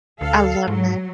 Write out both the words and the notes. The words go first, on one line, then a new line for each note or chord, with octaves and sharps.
I love that.
D2 A4 F5
G#2 F#3